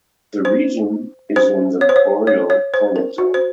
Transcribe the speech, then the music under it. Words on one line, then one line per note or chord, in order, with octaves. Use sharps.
The region is in the boreal climate zone.
C5
C5
C#5
C5
C#5
C#5
C#5
C5
A#4
F#4
C5